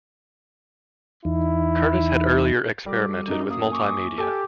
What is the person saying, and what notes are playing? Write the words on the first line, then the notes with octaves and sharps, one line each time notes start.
Curtis had earlier experimented with multimedia.
E2 E3 D#4 E4
G3 F#4 A4 D6
F#2 D#4
A#3 D#6
G#5 C#6 D6
G4 A4 G#5 D6